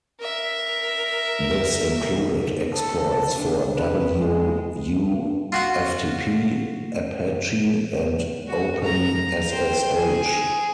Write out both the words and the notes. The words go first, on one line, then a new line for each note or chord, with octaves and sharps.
This included exploits for wu-ftp, apache, and openssh.
A#4 E5
A4
D4
B4
G#3
F4 F#4 F#5
F#4
A#5
C5 G5
G#4